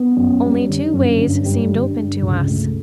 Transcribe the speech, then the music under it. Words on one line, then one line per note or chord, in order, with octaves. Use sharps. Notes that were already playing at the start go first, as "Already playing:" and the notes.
Only two ways seemed open to us.
Already playing: B3
F#2
G3
D3
F#2
G2
G3
D3
G2
C#2
A3